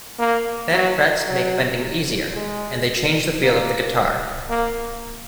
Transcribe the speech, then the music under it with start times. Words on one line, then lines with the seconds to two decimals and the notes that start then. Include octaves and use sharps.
Fat frets make bending easier, and they change the feel of the guitar.
0.19 A#3
0.73 F#3
1.27 F#3
2.35 G#3
3.42 A#3
4.50 A#3